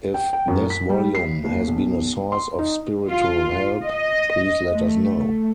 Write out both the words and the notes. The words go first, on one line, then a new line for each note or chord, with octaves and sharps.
If this volume has been a source of spiritual help, please let us know.
G5
G5
F#2
B6
G3
C7
D#2
B1
C6
D#4
F4
D#5
A3